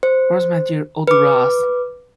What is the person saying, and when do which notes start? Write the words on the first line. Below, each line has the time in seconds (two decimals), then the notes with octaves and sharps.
Where's my dear old Russ?
0.03 C5
1.07 B4 D6